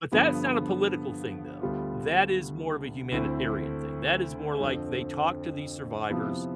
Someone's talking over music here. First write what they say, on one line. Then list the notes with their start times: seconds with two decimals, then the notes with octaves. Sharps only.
But that's not a political thing, though. That is more of a humanitarian thing. That is more like they talk to these survivors,
0.12 G2 D3 F3 B3
1.61 D2 D3 G3 B3 F4
3.12 D2 D3 A3 C4 E4
4.60 F2 D3 F3 C4
6.10 C3 F3 B3 E4